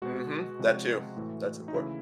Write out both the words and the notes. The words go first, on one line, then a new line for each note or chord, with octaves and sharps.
Mhm. That too. That's important.
B2 G#3 F#4
C3 F3 G#3
A2 E3 A3
D#4
C#3 E3 A3 E4